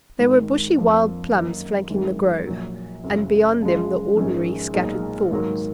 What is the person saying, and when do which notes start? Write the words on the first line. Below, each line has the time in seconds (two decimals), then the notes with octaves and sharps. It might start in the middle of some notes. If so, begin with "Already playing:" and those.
There were bushy wild plums flanking the grove, and beyond them the ordinary scattered thorns.
0.19 G#1 G#2 D#3
0.76 F2 F3 A#3
1.33 F#2 D#3 A#3 D#4
1.89 G#1 F#2 D#3 G#3
2.47 A#1 A#2 F#3
3.03 F#1 F#2 C#3 F#3
3.60 F#2 C#3 F3 G#3
4.17 A#1 G#2 D#3 G#3 C#4
4.74 B1 A#2 G#3 D#4
5.31 G#2 D#3 F#3 A#3 D#4